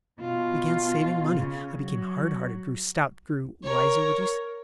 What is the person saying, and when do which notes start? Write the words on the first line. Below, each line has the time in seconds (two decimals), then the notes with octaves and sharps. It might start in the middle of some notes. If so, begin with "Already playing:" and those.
I began saving money, I became hard-hearted, grew stout--grew wiser, would you say?
0.20 B2 F4
1.34 C#3
1.79 F#3
3.63 A#4 C#5